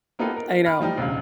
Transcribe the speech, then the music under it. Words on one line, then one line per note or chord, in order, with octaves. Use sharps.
I know.
A#3 B3 D#4 F4 G4 A4
A#4
B5 F6
F3 G3 D#4 G4
E1 C#2 F#2 F5